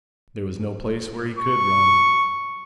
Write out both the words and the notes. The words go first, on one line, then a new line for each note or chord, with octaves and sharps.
There was no place where he could run.
C#6